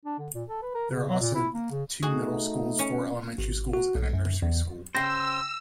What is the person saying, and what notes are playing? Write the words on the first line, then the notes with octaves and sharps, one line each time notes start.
There are also two middle schools, four elementary schools, and a nursery school.
D4
D3
A#2
A4
B4
A#4
C#3
F#3
A#2
E4
A#3
C#3
A3 D#4 F#4 G#4
C#4
G#1
F#4
B1
F#2
E2
C#3 C5 G5 E6 A#6 C7